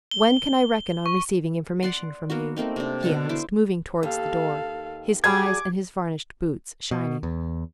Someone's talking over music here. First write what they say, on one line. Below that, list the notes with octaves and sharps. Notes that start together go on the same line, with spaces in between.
"When can I reckon on receiving information from you?" he asked, moving towards the door, his eyes and his varnished boots shining.
G7
C#6
D5 F#5 C6
A#3 B3 F#4
A3 A#3 C4 D#4
C3 D4
B2 D3 F#5 A5
E4 C5 D6
D#2 A4 F5
F#3 G#4 D5 D6 G#6
B2
E2